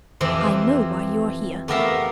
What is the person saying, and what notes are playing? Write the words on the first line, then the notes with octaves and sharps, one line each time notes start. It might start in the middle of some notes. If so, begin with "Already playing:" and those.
'I know why you are here.
F2 E3 C4 G4 C5
A3 B3 G4 A#4 E5 F5